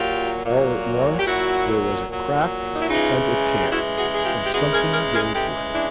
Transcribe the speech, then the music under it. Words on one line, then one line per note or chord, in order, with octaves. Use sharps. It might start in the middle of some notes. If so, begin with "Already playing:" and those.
All at once there was a crack and a tear, and something gave way.
Already playing: A#2 F#3 F4 G4
A#2 F#3
G4
A#2 F#3 E4 F#4
A#2 F#3
D#4
E4
C#3 E3 G#3 D#4 F4
G4
C#3 E3 G#3 E4 F#4
F#4 G#4
G#4
F4 G4
G4
C#3 E3 G#3 F#4 G#4
G#4 A#4
G#4 A#4
G#4 A#4
C#3 E3 G#3 G4 A4
D4 E4